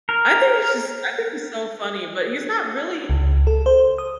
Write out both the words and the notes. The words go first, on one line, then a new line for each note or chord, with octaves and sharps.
I think he's just I think he's so funny but he's not really
A#4
C#2
A4
C5
D#6